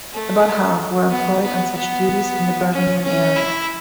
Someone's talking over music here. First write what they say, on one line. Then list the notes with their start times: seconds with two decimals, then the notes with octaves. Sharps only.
About half were employed on such duties in the Birmingham area.
0.13 A3
1.10 B3
1.42 B3
1.75 B3
2.72 C#4
3.04 C#4
3.36 E4